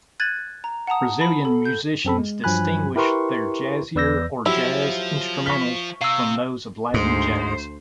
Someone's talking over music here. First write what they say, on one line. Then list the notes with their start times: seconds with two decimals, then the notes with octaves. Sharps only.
Brazilian musicians distinguish their jazzier or jazz instrumentals from those of Latin jazz.
0.20 F#6 G#6 A6 D#7 F#7
0.64 A#5
0.87 F#5 A5 A#5 D#6
1.19 A5 B5
1.45 A4
1.65 G6
2.05 F#2 C4 A4 B5
2.18 G#3
2.44 G2 F3 F#3 G#5 B5 F#6
2.96 E4 G4 A#4 B4 C6 C#6
3.95 E2 B4 D5 E6 G6 A#6
4.46 F3 F#3 E4 G4
5.46 C#6 F6 B6 G7
6.01 C3 F5 E6
6.94 D2 G#2 C5